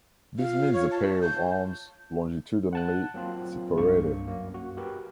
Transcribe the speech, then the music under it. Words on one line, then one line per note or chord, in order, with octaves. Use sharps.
This needs a pair of arms longitudinally separated.
F4 F5
C#5
A5
G6
F#5 A5 F#6
F#3 A#3 C4 F4
C2 G2 A#3 C#6
F#2 F#3 A#3
F#4
F#4 G4 A#4 B4